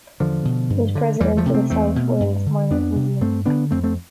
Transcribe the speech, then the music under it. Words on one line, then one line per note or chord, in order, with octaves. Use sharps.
He is President of the South Wales Miners' Museum.
E2 D3 F3
B2
G2
D3
E2 E3 G3
F3 A3
C3
A3 C4
E2 A3 C4
B2
G2
D3
F2 B3 D4
C3
G2 A3 C4
D3 B3 D4
F2 A3 C4
A3 C4